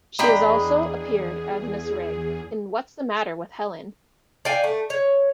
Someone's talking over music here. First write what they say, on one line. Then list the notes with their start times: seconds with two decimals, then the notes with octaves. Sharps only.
She also appeared as Mrs. Rigg in What's the Matter with Helen?
0.19 E2 D4 G#4 D#5 G5 A#5 B5
4.45 D5 F5 G5 G#5
4.64 A3
4.90 C#5